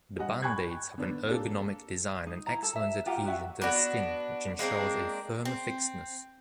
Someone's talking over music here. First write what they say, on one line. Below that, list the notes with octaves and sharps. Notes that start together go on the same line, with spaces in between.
The band-aids have an ergonomic design and excellent adhesion to the skin, which ensures a firm fixedness.
G2 F#4 D#5 F#5
G5 A5 B5 C#6 F#6 G#6
D3 B3 D4
A#3 D4 G4 A4
D#4
E4 A#5
A4
E5
F4 G4 F#5 A#5
F#4 E5 F#5
B3 D4 F#4
G#3 A#3 C4 D4
C4